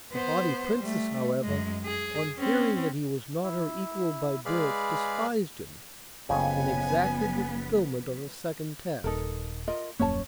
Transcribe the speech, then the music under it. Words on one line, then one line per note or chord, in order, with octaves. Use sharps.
The haughty Princess, however, on hearing that he was not her equal by birth despised him, and exacted the fulfilment of a second task.
B3 C5
G3 A3
F#2 G#3
G#4
C4 C#4
E4
G#3 G#4 B4 D5 F5 B5
F#1 F2 C#3 F3 B3 B4 G5 G#5
D#1 D#4 A4 A#4
F4 A#4 D#5
D#1 F#2 A#3 C#4 C#5 A5